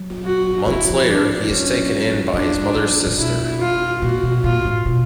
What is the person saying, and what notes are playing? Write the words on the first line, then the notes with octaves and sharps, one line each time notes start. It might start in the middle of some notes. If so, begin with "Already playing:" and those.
Months later, he is taken in by his mother's sister.
Already playing: F#3
F#4
F#3 E4
F3
E3
F3
D4
F#3 C#4
F#3 D4
G3
F#3
A#2
B2 E4
F4
A#2 F#4
B2
A#2 F4
A2
B2